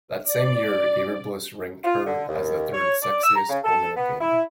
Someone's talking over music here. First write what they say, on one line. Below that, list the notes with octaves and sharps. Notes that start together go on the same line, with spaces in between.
That same year, GamerBliss ranked her as the third-sexiest "woman of gaming".
D5
F4
D3
D#2
C#5
D5
E6
A#5
C#3
A4
B3
E4